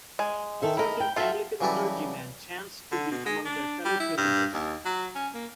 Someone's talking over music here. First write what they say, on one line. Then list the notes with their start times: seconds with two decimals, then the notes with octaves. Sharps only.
A certain Anglican clergyman chanced to be among their fellow prisoners.
0.19 G#3 G#5
0.62 D#3 A4 E5
0.77 E4 G#4 A#4 D#5
1.00 G5
1.16 F4 F#4 A4 E5 G5
1.61 C#3 E3 F#3 G3 E4 A4
2.92 D3
3.11 B2
3.26 G#3
3.45 D4
3.85 G3
4.00 E4
4.18 G2
4.53 D#2
4.85 F#3
5.15 C#4
5.34 A#3